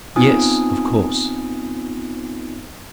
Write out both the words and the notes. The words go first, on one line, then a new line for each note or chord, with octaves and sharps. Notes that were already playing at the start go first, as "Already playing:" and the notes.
"Yes; of course."
B3 C4 D#4 F4 G#5 D#6